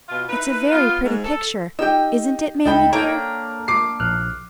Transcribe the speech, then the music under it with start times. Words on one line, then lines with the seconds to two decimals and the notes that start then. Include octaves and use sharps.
'It's a very pretty picture, isn't it, mammie dear?'
0.09 B2 F4
0.29 D#4 E4 B4
0.72 B3 F4
1.04 G#2
1.24 A4
1.79 D#4 G4 G5 E6
2.65 C#2 A3 D#4 A4 G5 B5
2.93 A#3 D4 A4 C#5 G5 A#5
3.68 D6 C7
4.00 A#1 F6 F#6